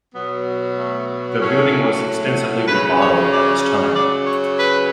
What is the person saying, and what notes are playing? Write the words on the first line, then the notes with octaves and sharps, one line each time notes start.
The building was extensively remodelled at this time.
B2 F#3 B3
A3
A2 F#3 C#4
C#3 F#3 B4
C#5
D5
C#3 F#3 D5
C#5
B4